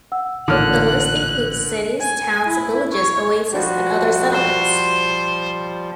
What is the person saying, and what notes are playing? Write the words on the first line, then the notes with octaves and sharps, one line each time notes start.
The list includes cities, towns, villages, oases and other settlements.
F#5 E6
A1 A#2 D3 D#4 C#5 F6 F#6
G#5
E4
C#5
F3 G3 F#4
C5